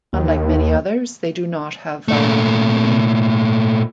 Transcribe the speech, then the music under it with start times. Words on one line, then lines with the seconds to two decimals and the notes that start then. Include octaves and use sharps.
Unlike many others, they do not have vowel harmony.
0.13 D#2
2.08 A#2 A3